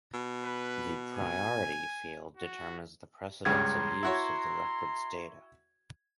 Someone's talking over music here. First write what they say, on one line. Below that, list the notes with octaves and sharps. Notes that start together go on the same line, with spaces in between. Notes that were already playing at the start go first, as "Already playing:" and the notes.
The "priority" field determines the precedence of use of the record's data.
B2
B4
G#5
F#4
C#2 G2 C#3 A#5 C6 G#6
E4 F#4 C#5